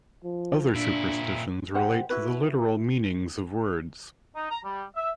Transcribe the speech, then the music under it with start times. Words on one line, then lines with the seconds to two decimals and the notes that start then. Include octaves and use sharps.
Other superstitions relate to the literal meanings of words.
0.24 F3
0.75 A#2 D4 E4
1.74 G4 C5 F#5
2.10 E4 F#4 B4
4.35 D#4
4.50 A#5
4.64 G3
4.96 E5